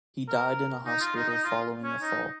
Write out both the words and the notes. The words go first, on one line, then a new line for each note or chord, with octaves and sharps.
He died in a hospital following a fall.
A#4
D#4
F4
D#4
D#4
F4
C#4
D#4